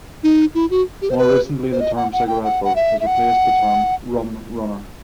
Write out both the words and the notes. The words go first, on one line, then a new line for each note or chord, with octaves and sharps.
More recently the term "cigarette boat" has replaced the term "rum-runner".
D#4
E4
F#4
G4
C5
B4
C5
D#5
F#5
F#5
G5
F#5
F#5
E5
E5
F#5